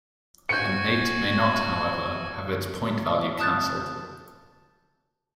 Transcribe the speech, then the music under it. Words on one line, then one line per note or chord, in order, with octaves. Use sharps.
An eight may not, however, have its point value canceled.
F#4 G#5 G6 C#7
A5 D#6 F#6 G6 A6